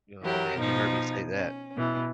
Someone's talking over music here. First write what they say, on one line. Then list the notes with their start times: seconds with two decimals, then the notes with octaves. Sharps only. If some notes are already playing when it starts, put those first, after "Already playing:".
Y oh man, he heard me say that.
0.22 E3 F#3 G4 A#4
0.57 B2 F3 D#4
1.32 C#4
1.75 B2 E3